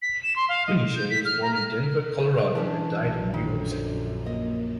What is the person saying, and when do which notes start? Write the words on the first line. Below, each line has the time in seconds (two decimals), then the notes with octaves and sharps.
Quinichette was born in Denver, Colorado and died in New York City.
0.02 B6
0.23 E7
0.36 C6
0.49 F5
0.67 D#5
0.95 G6
1.10 B6
1.25 F6
1.42 A#5
1.55 F6
2.20 C5
2.55 E3 C#4 D4 A5
2.99 A#1 F#2
3.34 D3 D#3
3.71 C5
4.26 A#3 D#5